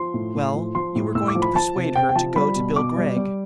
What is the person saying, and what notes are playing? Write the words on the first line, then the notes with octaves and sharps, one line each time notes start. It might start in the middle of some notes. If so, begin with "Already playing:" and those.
"Well, you are going to persuade her to go to Bill Gregg?"
Already playing: F3 C6
A2
A2
F3
F3 C6
A2
A2 E6
D6
F3
B5
F3 A5
C3
C3 G5
G5
F3 A5
G3 B5
B2
B2 D6
G3
G3